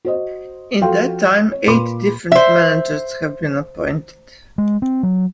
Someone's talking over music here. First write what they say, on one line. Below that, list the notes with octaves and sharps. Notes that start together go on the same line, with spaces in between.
In that time eight different managers have been appointed.
F#4 C5 D#5
F3 F#4 A4 F5 G5 C6
C#5
A#2 B4 B5 C6 D6
C5 E5
G#3
C4
F#3